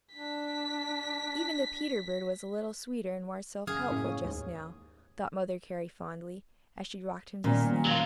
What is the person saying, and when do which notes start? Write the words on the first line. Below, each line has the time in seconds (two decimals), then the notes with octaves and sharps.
Even the Peter-bird was a little sweeter and more self-helpful just now, thought Mother Carey fondly, as she rocked him to sleep.
0.13 D4 B6
3.67 F#2 C#3 G#4 F6
3.90 F#2 A2 A#3 C#4
4.05 C#5 D#6
4.24 D#2 G#2
7.44 A#2 D#3 G3 B3 C#4
7.85 F#3 F4